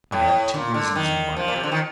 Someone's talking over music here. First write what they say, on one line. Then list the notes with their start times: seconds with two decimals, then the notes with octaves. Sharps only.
I had two reasons in mind.
0.12 A2
0.54 A#2
0.74 D3
0.95 D#3
1.37 F3
1.48 A#2
1.56 C3
1.63 D3
1.72 D#3